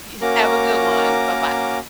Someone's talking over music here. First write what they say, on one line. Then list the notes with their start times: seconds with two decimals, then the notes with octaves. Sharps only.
Y have a good one, buh-bye.
0.22 A#3 C#4 F#4 A#4 A#5 D6